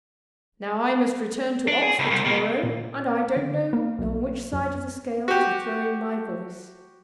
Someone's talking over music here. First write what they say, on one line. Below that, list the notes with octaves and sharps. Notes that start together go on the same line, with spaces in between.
Now I must return to Oxford to-morrow, and I don't know on which side of the scale to throw in my voice.'
D4
G#4
C#2
C2
B2 A#3
A#2
D3
A#3
B1
F#2
F#4 G4